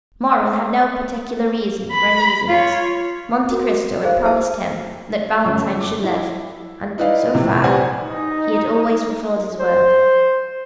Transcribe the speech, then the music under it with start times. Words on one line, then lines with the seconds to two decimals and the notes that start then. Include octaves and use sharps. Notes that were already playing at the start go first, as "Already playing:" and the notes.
Morrel had no particular reason for uneasiness; Monte Cristo had promised him that Valentine should live, and so far he had always fulfilled his word.
1.92 B5
2.49 F4 C#5
3.51 F#4 A#4
4.03 D#4 G#4 A4 C5 F5
4.25 E4 E5 F5 A5 E6
5.45 G1 F#2
5.81 D6
6.03 E4
6.98 D#4 E4 B4 D5 D#5 F5
7.34 A#1 A2 C3
7.64 G4 B4 C5 D5 F#5 G#5
8.01 D#4
9.60 C5